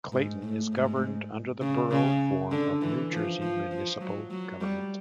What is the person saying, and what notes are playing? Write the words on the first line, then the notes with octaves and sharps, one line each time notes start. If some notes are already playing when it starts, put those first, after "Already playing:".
Clayton is governed under the Borough form of New Jersey municipal government.
G#2
A2
G#2
C#3
C#3
D3
E3
F3
F3
F3
F#3
F#3
G3